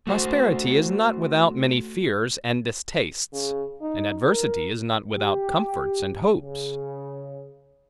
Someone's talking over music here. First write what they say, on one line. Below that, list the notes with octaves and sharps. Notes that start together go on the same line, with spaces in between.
Prosperity is not without many fears and distastes; and adversity is not without comforts and hopes.
A3 F#4 C5
C#3
D#4
A#4
G4
C#3